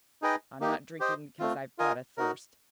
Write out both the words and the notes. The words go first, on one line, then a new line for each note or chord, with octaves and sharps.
"I'm not drinking because I've got a thirst."
D#4 G#4 B4 D#5 G5
A#3 D#4 G4
G4 C5 D#5 G5
A3 C4 F4
F4 A#4 D#5 G#5
D#4 F#4 A#4